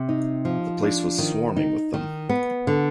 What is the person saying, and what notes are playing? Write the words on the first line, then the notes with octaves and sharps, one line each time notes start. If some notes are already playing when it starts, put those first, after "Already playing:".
The place was swarming with them.
Already playing: C3
D#4
F3
D4
D#3
D#4
D#3
B3
D3